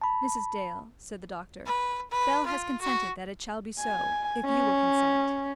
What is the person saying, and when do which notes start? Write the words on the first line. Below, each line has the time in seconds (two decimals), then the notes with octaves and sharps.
"Mrs. Dale," said the doctor, "Bell has consented that it shall be so, if you will consent."
0.02 A5 B5
1.66 B4
2.11 B4
2.46 F4
2.82 F#4
3.80 G#5
4.45 C#4